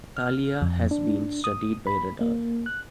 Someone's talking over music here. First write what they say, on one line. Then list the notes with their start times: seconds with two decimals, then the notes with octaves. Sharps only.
Thalia has been studied by radar.
0.17 F6
0.62 F2
0.91 D4
1.44 D#6
1.87 B5
2.21 A#3
2.66 F#6